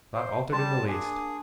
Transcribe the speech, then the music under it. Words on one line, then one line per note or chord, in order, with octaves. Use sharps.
Not altered in the least!'
C5
G3 D5 F#5 A5 C6
A#3 D4 G#4 G#5